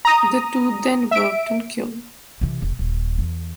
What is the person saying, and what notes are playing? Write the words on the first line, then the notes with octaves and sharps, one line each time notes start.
The two then worked on Kyo.
A#5 D#6
E5 D7
C3 E3
E1
D#1
E2